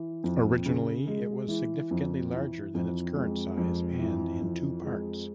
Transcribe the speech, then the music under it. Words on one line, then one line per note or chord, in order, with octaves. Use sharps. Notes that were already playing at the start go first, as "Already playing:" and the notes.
Originally it was significantly larger than its current size and in two parts.
Already playing: E3
F2
C#3
G#3
E3
F2
E3
F2
G#3
F2
E3
F2
G#3